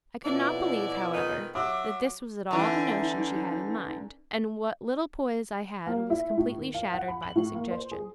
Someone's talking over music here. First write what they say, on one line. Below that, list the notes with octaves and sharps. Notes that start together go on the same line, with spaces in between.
I could not believe, however, that this was at all the notion she had in mind, and what little poise I had was completely shattered by the suggestion.
F2 B2 C#4 E4 D5
G#2 D#3 D#4 B4
F#3 E5 D6
D3 E3 C#4 D#4
A#3
E4
A2
D#2
F5
F#5
B5
F#7
A2
A#3
C5
G#4